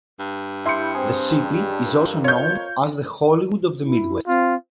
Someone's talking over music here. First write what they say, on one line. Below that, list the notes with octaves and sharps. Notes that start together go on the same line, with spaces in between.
The city is also known as the Hollywood of the Midwest.
G2
E4 G4 G5 C6 C#7
C4 G#4
C#2 D4 G4
F2 A#4
F4 C#5 C#6 G6
E4
C4 F4